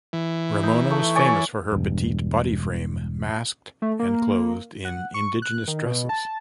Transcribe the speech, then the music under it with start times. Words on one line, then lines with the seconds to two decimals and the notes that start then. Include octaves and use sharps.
Ramona was famous for her petite body frame masked and clothed in indigenous dresses.
0.13 E3
0.63 D#4
0.90 A3
1.15 C#5 D5 G#5
1.72 E1 G2
3.82 A3
3.99 A#3
4.85 F#5
5.14 C#6
5.42 F#6
5.68 D#3
5.86 B2
6.09 A5